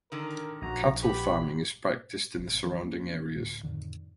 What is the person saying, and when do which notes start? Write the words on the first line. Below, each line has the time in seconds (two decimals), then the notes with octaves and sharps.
Cattle farming is practiced in the surrounding areas.
0.12 D3 D#3 A#4
0.62 A#1 F#4 A#5
1.03 B3 G4 B5
2.38 G#1 B2
2.64 D2 E3 F3 B3
2.85 A#3 C#4
3.37 D2 A2
3.63 F2 A2 D3 D#3